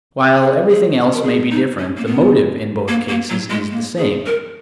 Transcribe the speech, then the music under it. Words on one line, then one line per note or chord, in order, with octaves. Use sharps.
While everything else may be different the motive in both cases is the same.
G#4
G#4
A#4
G#4
D#4
C#4
A#3
B3
A#3
A#3
F#3
G#3
A#3
G#4
A#4